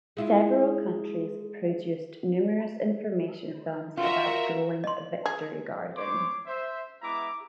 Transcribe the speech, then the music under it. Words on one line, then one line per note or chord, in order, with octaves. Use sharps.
Several countries produced numerous information films about growing victory gardens.
G#3 E4 F4
F4 F#4 A#4 E5
D#5 C6
G#4
C5 C#5 C6 D6
C5 E5
G#3 B3 E4 E5 A#5 D6